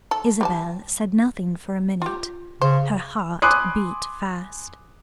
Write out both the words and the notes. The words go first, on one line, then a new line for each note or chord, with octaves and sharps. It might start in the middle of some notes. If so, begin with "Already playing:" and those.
Isabel said nothing for a minute; her heart beat fast.
A4
G3 B4 A5
F4 G4
C#3 C5
G#5 B5 C6 D6 D#6 F#6